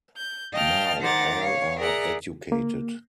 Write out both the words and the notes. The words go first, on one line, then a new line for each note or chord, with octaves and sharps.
Now all are educated.
G6
D#5 F5 G5 A5 F6
D#3 C5 F#5 A#5 D6 A6
C#5 F5
G#4 A#4 D5 E5 F#5 A#5
A#3